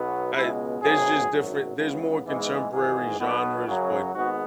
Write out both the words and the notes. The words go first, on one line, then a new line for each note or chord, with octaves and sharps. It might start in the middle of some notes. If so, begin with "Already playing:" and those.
I There's just different There's more contemporary genres, but
Already playing: B1 B2 F#3 B3
C#2 B2 G#3 B3 E4
G#1 F#2 F#3 B3 G#4
G#1 F#2 F#3
C#2 C#3 E3 G#3 B3
G#2 E3 G#3 B3
G#1 G#2 E3 G#3 G#4
B1 B2 B3
F#2 C#3 F#3
G#1 G#2 G#3 B3 F#4